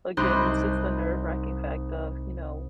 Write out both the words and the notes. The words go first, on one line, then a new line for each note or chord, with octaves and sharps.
Again, it's just the nerve-wracking fact of, you know
C2 D#4 G4 B5 C6 F#6